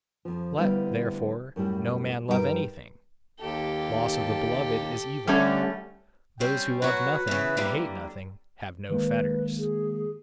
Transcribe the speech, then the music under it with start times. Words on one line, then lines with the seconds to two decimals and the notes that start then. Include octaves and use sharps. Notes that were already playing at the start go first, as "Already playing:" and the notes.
Let, therefore, no man love anything; loss of the beloved is evil. Those who love nothing and hate nothing, have no fetters.
0.25 F2 F3
0.58 D2 D3 G3 B3 E4 F5
1.56 F#2 A2 G3 E4
2.28 G2 G3 D#4 A#4 C5 G5
3.40 D#2 G4 A4
5.27 D3 G3 A3 C#4
6.40 G3 C4 C#4 G5
6.82 F#3 F#4 B4
7.28 C#3 E3
7.57 D3 G3 A#3
8.90 D#3 G#3 A#3 B4
9.58 G#4